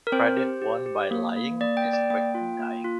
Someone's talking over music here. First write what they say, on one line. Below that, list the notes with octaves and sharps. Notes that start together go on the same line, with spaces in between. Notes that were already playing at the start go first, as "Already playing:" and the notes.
Credit won by lying is quick in dying.
A#4
C4 C5
G4
G4
G4
A#3
A#3
A#3 D5
G5
A#3
D5
A#3 G5
F4
A#3
F4